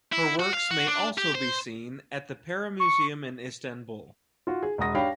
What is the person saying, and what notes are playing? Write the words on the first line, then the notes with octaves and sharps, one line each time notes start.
Her works may also be seen at the Pera Museum in Istanbul.
E4
F#4
F5
F#4
D4
G4
C5
C#6
F4 F#4
G#4
E1 G#3 F#5 D#6 A#6
D4 G4 C#5 F5 G5 B5